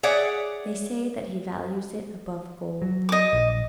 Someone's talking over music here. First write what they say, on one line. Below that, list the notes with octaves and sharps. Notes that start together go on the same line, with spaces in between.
They say that he values it above gold.
G#4 C#5 D5 E5 F#5
F#3
D#5 D6
A#1